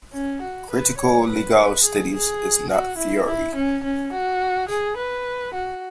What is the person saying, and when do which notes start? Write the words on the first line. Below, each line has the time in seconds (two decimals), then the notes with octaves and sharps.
Critical legal studies is not a theory.
0.13 C#4
0.42 F#4
0.70 B4
0.98 C#5
1.27 B4
1.83 G#4
2.12 G#4
2.70 F#4
2.98 E4
3.26 E4
3.55 C#4
3.84 C#4
4.12 F#4
4.69 G#4
4.97 B4
5.54 F#4